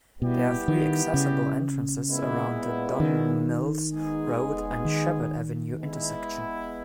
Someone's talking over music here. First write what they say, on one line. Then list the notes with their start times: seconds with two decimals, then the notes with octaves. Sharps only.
There are three accessible entrances around the Don Mills Road and Sheppard Avenue intersection.
0.21 B2 G3 B3 E4 G4
0.68 D#3
1.14 C#3
2.07 A#2 G#3 B3 E4
3.00 D#3
3.92 G#3 B3 D#4 G#4
4.85 D#3
5.77 G#3 B3 E4